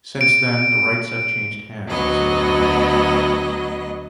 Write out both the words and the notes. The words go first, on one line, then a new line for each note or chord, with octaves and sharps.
Since then, the rights have changed hands several times.
D7
D2 F#3 B3 D#5